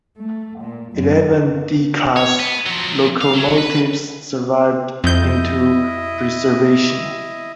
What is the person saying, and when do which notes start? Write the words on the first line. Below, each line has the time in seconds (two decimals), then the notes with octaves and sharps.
Eleven D class locomotives survived into preservation.
0.17 A3
0.59 A#2
0.91 F#2
2.16 C#5
2.40 B3
2.66 F3 F#3
3.21 F5
3.35 F#3
3.58 B4
5.04 F2 E4 D#5 G6